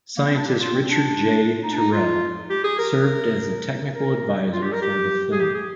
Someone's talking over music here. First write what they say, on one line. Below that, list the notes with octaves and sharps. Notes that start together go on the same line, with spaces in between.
Scientist Richard J. Terrile served as a technical advisor for the film.
A#3
C4
D4
G4
F4
C4
D4
D#4
D4
D#4
F4
G4
G#4
A#4
A#4
F4
G4
A#4
G4
G#4
G4
G#4